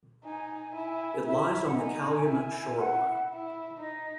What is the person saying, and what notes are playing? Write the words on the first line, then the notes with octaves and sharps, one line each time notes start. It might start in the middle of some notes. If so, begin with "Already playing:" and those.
It lies on the Calumet Shoreline.
D#4 G#5
E4
E4 E5
E5
E5
F#5
D#4 G#5
E4
G#5
F#5
E4
D#4 D#5